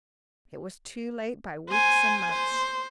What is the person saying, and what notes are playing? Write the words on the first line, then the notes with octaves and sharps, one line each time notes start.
It was too late by weeks and months.
C5 G#5
C5